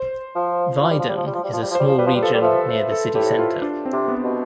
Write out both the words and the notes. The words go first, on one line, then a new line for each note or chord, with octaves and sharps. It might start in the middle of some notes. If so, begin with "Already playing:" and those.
Wieden is a small region near the city centre.
Already playing: C5
F3
F3
G3
F3
G3
F3
G3
F3
G3
F3
G3
F3
G3 C5
F3
G3 B4
F3
G3
F3 A4
G3
F3 E5
C5
A4
A2 G4
F4
D4
C4
C3
B3
B2